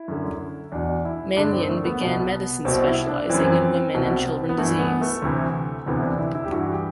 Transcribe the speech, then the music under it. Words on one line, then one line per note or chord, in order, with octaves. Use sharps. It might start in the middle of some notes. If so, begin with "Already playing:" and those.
Manion began medicine specializing in women and children disease.
Already playing: E4
F#2 D3
E2 B2 D4
E4
G2 D3 D4
C4
A3
B3
C2 B2
C2 B2 C4
E4
D4
F#2 E3 C4
C2 B2
B3
G2 E3 A3
B3
A3
D2 C3 E3
D2 C3 E3 B3
D4
E4
E4
G4
G2 E3 F#4
G4